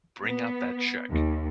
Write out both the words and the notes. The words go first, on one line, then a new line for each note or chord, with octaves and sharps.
bring out that check,
B3
D#2